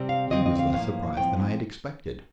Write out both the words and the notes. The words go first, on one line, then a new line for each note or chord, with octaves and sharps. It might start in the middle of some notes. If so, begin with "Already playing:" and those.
He was less surprised than I had expected.
Already playing: C3 G3 C4
F5
F2 D3 A3 C4 D#5
D#5
F5
A2 F3 A#3 F5
A2 F3 C4 G5